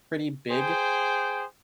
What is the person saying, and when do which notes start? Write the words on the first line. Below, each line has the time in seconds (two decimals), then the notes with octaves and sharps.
pretty big,
0.50 G#4 C5 G5